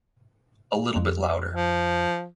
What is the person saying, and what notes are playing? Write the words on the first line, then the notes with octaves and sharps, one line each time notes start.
A little bit louder.
F2
F3